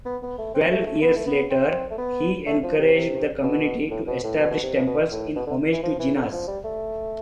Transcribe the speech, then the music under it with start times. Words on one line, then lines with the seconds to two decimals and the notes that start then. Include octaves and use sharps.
Twelve years later, he encouraged the community to establish temples in homage to Jinas.
0.06 B3
0.23 B3
0.39 A3
0.54 C4
0.70 A3
0.86 A3
1.02 B3
1.16 A3
1.27 B3
1.51 C4
1.91 A3
1.98 B3
2.46 A3
2.63 F3
2.78 C3
2.94 C3
3.43 B2
3.91 A2
4.07 B2
4.24 A2
4.39 B2
4.51 B2
4.63 C3
4.75 B2
4.87 B2
5.12 A2
5.36 B2
5.47 D3
5.72 E3
5.83 F3
5.99 E3
6.15 D3
6.32 F3
6.48 G3
6.64 A3